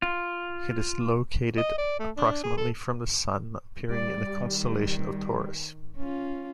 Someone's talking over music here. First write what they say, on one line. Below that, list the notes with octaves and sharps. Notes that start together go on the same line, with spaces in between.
It is located approximately from the Sun, appearing in the constellation of Taurus.
F4
D#5
D5
A3
D4
G#4
A4
G3 D5
D#3
C#4 F4